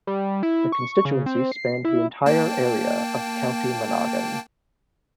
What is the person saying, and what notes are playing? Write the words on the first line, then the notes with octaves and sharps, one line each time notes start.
The constituency spanned the entire area of the County Monaghan.
G3
E4
C#6
C#3
C4
C7
E4
A#3 G5 A5